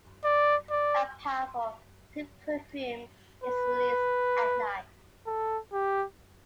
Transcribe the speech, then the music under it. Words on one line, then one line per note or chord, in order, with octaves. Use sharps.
A powerful, sweet perfume is released at night.
D5
D5
B4
A4
G4